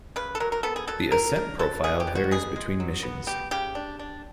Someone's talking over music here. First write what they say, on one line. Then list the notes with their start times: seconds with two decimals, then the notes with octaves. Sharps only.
The ascent profile varies between missions.
0.16 C#3 B4
0.35 A4
0.40 F#3 A#4
0.52 A#4
0.63 B3 A4
0.76 G#4
0.88 F#3 A4
1.11 F#3 A#4
1.36 D4 A#4
1.59 F#3 A4
1.84 B2 G#4
2.00 G4
2.07 B2
2.15 F#4
2.31 B2 G#4
2.56 G#3
2.80 F#3
3.03 B3
3.27 B3 G4
3.51 C#3 G4
3.75 D4
3.99 D4